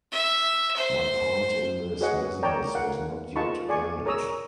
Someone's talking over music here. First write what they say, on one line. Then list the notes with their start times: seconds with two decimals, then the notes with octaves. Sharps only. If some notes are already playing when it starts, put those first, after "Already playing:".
My part in this business was not yet ended.
0.12 E5
0.76 C5
2.00 F#4 G#4 B4 C#5 D#5 F#5
2.43 A#4 C#5 D5 G5 A5 A#5
2.75 A#4 F5 F#5
3.36 F4 G#4 D#5 A5 B5 C#6
3.68 G#4 D5 G#5 C#6
4.05 G#4 A#4 C#5 A#5 D#6 E6